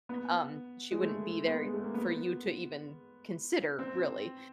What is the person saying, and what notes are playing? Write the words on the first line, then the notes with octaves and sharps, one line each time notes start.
um, she wouldn't be there for you to, even consider, really.
B3
G#3
A3
B3
G#3
A3
A#3
B3
C4